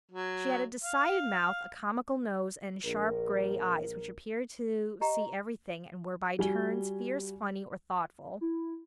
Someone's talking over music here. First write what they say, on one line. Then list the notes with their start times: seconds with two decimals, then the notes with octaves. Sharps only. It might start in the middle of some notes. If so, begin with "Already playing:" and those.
She had a decided mouth, a comical nose, and sharp, gray eyes, which appeared to see everything, and were by turns fierce, funny, or thoughtful.
0.11 F#3
0.83 F5
2.84 A#1 A#4
5.01 G4 D#5 A#5
6.39 G3 F#4 G#5 G7
8.41 E4